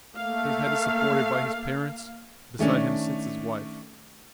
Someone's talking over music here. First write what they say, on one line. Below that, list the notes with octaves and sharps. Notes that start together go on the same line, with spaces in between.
His head is supported by his parents: beside him sits his wife.
A3 A#3 F5
D#3 A3 C#4 D4